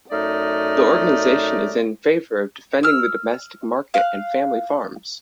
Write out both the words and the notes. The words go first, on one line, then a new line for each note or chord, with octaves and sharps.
The organization is in favor of defending the domestic market and family farms.
F#2 A3 D#4 D5 D#5 F6
E6 F6
F5 F#6